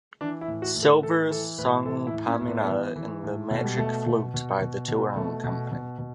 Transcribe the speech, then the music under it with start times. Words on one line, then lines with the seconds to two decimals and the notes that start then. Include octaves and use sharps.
Silver sung Pamina in "The Magic Flute" by the touring company.
0.21 E3 D4
0.41 E4
0.48 A2
0.62 F#4
0.76 A2
0.83 A4
1.03 E3 A4
1.31 E3 A4
1.58 A2 B4
1.86 E3 A4
2.07 E4
2.14 A2
2.27 C#4
2.41 A2
2.48 B3
2.56 A3
2.64 E3 B3
2.96 E3
3.23 A2
3.51 B2 A3
3.64 G3
3.77 B2 A3
4.06 B2
4.34 B2
4.61 B2
4.88 B2
5.16 B2 A3
5.44 B2
5.71 B2
5.98 B2